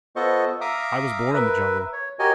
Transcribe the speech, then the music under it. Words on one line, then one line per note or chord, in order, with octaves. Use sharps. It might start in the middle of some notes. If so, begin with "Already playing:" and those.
I was born in the jungle.
B3 F4 A4 C5 D#5 C#6
E5 F5 A#5 D6 D#6 F6
A#4 B4 E5
C#5
F#4 G4 A#4 C#5 D#5 G#5